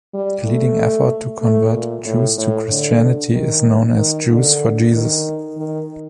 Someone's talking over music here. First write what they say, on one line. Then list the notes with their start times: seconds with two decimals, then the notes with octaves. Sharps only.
A leading effort to convert Jews to Christianity is known as Jews for Jesus.
0.14 G3
0.45 A3
1.42 A3
1.73 A#2
2.06 A2
2.38 A2
2.69 D3
3.33 D#3
3.97 D#3
4.29 D3
4.93 D#3
5.57 D#3